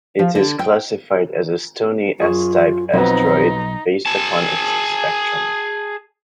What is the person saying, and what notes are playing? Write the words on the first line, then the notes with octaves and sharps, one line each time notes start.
It is classified as a stony S-type asteroid based upon its spectrum.
F3
D3
G5
F#2 F4 G#4 C#6
B1 F2 F#3 B3 C4 D#4
G#4 A5